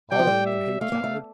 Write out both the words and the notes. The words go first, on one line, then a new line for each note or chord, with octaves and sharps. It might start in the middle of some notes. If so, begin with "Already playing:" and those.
All women hate cowards.
G3 G5
F3
G3
E5
A3 F5
A#3
A3